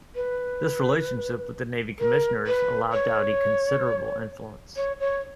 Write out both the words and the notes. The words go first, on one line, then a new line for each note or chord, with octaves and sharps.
This relationship with the Navy Commissioners allowed Doughty considerable influence.
B4
A#4
B4
C#5
C#5
C#5